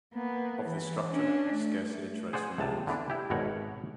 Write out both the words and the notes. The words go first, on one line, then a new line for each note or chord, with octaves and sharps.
Of this structure, scarcely a trace remains.
A#3 B3
E3
C#4 D4
A3
G#4 C5 D5 F#5
C#2 C3 A5
D3 E3 B3 D4
E4 G4
G#1 B2 A#4 C#5 F#5